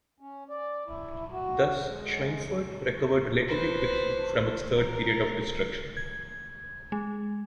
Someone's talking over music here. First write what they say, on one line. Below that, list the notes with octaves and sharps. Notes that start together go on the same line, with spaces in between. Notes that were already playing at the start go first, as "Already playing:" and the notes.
Thus Schweinfurt recovered relatively quickly from its third period of destruction.
C#4
D5
E4
F#4
G#3
B4 C5
A#4
G#6
G#3